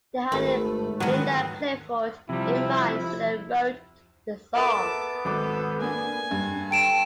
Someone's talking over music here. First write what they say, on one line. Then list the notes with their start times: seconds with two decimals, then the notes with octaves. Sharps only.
They had Linda Clifford in mind when they wrote the song.
0.32 G#1 G#2 A3 B4
1.00 D#3 E3 F#3 G#3 B3 F#5
2.29 C3 F3 G3 E4
4.55 B3 A4 A#4 E5 A5 D6
5.25 G#1 A4 D6
5.81 A#3 D4 G#5
6.31 G2
6.71 A4 G5 D7 E7